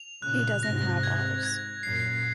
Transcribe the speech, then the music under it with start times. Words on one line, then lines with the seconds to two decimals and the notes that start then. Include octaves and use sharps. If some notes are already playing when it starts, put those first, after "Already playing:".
He doesn’t have ours.
Already playing: F7
0.22 A#2 C#3 F#6
0.63 G#2 C3 A#6
1.03 G#6
1.43 G#6
1.83 F#2 A#2 C7